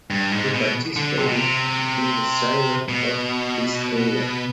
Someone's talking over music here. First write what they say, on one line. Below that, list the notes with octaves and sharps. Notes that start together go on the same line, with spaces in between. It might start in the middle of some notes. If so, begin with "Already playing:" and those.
He participated in the Synod of Pistoia.
G2
G#2
B2
D3
C3
B2
C3
B2